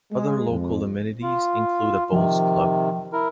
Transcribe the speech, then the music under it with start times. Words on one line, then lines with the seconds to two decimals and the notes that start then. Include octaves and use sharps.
Other local amenities include a bowls club.
0.12 G#3
0.49 F2
1.23 F4
2.12 C3 D#3 F3
3.13 E4 A#4